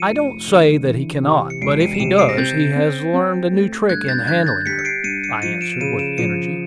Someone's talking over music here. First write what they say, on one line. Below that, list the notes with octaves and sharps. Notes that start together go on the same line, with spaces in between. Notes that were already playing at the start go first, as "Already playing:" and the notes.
"I don't say that he cannot; but if he does, he has learned a new trick in handling her," I answered, with energy.
Already playing: F3 C#7 D#7
F1
D3
E3
C3
C#7
E1 C7 D7
C#7 D#7
E7
C3 C#7 D#7
C7 D7
A#6
C4 G6 A6
C4
C4
A3
G2 F#6 G#6
G6 A6
D3 F#6 G#6
G6 A6
G3 B6 C#7
C#7
C7 D7
G2 C#7 D#7
C#7 D#7
F3 C#7 D#7
D7 E7
C#3 C#7 D#7
D7 E7
F3 C#7 D#7